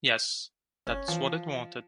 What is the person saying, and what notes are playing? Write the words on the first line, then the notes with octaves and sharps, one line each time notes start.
Yes, that's what it wanted.
F#1 C#4
E3 F3